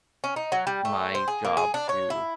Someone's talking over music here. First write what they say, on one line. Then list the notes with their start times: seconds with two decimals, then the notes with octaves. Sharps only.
my job to
0.24 C#4
0.36 D#4
0.52 F#3
0.67 G3
0.85 A3
1.15 C5
1.28 G#4
1.45 A#3
1.57 G#4
1.74 D4
1.89 C#5
2.10 E4